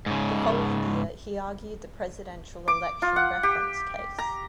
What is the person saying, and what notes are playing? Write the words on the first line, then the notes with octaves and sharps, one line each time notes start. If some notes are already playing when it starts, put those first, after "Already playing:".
The following year he argued the Presidential Election Reference case.
G#2 C#3
D6
F4
F#5
G4
A#5